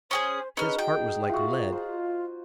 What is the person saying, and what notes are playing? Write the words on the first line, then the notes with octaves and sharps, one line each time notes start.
His heart was like lead.
C#4 G4 G#4 C5 D#6
C#4 D#4 G#4 B4 F6
F#4 G5
F4 F#4 E5
F4 C5